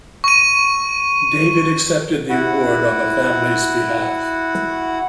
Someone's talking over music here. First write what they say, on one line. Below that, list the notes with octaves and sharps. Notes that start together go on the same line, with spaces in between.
David accepted the award on the family's behalf.
C#6 D#7
E4 F#4 F#5